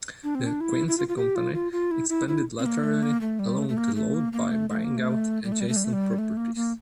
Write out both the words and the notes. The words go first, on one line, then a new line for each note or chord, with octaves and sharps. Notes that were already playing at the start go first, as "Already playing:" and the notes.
The Quincy company expanded laterally along the lode by buying out adjacent properties.
D4
C4
D4
E4
E4
F4
F4
G4
F4
F4
F4
E4
E4
E4
C4
A#3
A3
A#3
A3
G3
A3
A3
A#3
A3
A#3
A#3
A3
A3
A#3
A3
G3
A3
G3
A3
G3
A3
G3
A3
A#3
A#3